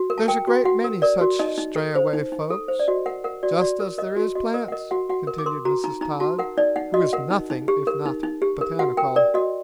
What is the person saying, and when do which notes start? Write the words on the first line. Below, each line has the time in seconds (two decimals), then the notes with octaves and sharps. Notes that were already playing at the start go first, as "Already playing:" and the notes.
"There's a great many such strayaway folks, just as there is plants," continued Mrs. Todd, who was nothing if not botanical.
Already playing: F#4
0.10 A#4
0.18 A5
0.28 A#4 G5
0.48 F#4
0.65 F#4 F#5
0.84 A#4
1.02 A#4 D5
1.21 F#4
1.39 D#4 D#5
1.58 D#4
1.76 A4
1.95 C5
2.13 D#4
2.32 D#4
2.50 A4
2.68 C5
2.80 D5
2.88 F#4 D#5
3.06 A#4 F#5
3.24 A#4 F#5
3.43 F#4 D5
3.61 F#4 D5
3.80 A#4
3.98 A#4 D#5
4.17 F#4
4.35 F#4 D#5
4.54 A#4 D#5
4.68 F#5
4.72 A#4 D#5
4.91 F#4 F#5
5.09 F#4 F#5
5.27 A#4
5.38 D6
5.46 A#4 C6
5.65 F#4 A#5
5.84 D#4 A#5
6.01 D#4 A#5
6.20 F#4 A5
6.39 A#4 F#5
6.58 D#4 D5
6.76 D#4 F#5
6.94 F#4 D#5
7.13 A#4 F#5
7.31 D#4
7.50 D#4
7.68 G4
7.87 A#4
8.06 D#4
8.23 D#4
8.42 G4
8.61 A#4
8.79 F#4 F#5
8.97 A#4 G5
9.16 A#4 D5
9.34 F#4 D#5